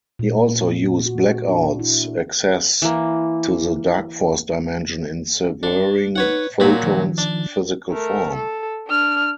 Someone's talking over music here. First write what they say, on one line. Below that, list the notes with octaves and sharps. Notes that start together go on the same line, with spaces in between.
He also used Blackout's access to the Darkforce dimension in severing Photon's physical form.
A#2
F#4
D4
E4
E3 A#3
D4
D#4 B4 C#5 F#5
A#2 F#3 A#3 D#4 G4 B5
D#3 F3
D4
A3 A#4
A4
D4 F6